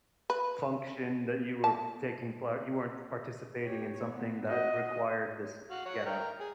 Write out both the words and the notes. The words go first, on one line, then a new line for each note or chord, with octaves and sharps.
Function that you were taking part, you weren't participating in something that required this getup.
B4
A5
G4 C#5
B3
F#4 D#5
F#4 F5
C#5 F#5
A#4 G5
G#4